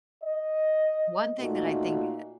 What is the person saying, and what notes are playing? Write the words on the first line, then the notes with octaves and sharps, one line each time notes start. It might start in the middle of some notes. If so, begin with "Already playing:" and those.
one thing that I think,
D#5
A#2 A3 D#4 F#4